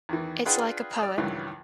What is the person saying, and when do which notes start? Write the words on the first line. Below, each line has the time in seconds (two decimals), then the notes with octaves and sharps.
It's like a poem.
0.09 E2 D#3 E3
0.45 D4 F4 G#4 B4 F#5 G5
0.98 D5 D#6
1.18 C#2 G2 D#3 E3 F#3